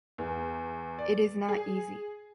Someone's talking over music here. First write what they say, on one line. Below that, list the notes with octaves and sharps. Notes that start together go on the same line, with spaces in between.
It is not easy.
E2
D5
G#4